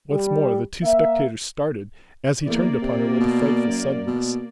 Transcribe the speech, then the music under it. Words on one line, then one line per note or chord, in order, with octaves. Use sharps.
Once more, the two spectators started, as he turned upon her with a frightful suddenness.
G3 G4
A#3 E5
E2 A#3 D5
C3
B2
F#2
B2